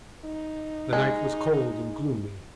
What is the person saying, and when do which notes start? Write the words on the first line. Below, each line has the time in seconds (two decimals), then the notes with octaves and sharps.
The night was cold and gloomy.
0.25 D#4
0.93 G#3